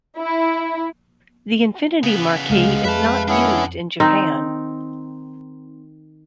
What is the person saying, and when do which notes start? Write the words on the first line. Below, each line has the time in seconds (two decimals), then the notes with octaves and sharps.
The Infiniti marque is not used in Japan.
0.17 E4
2.03 C#3 B3
2.50 C#2 C3 G#3 F5
2.84 F2 B4 E5 A5
3.28 B3 C#4 D4 E4 F#5
4.00 D#3 C4 D#4